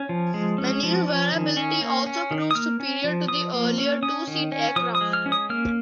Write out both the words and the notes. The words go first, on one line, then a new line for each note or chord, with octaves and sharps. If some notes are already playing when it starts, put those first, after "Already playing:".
Maneuverability also proved superior to the earlier two-seat aircraft.
Already playing: C#4
F3
G#3
C#4
F3
C#4
D#3
C#4
A#3
C#4
D#3
D#6
A#3 F6
C#4
F3
F3 D#6
A#3
C#4
C#4 D#6
D#3
C#4
F3 D#6
D#6
G#3
F6
C#4
D#6
A#3 F6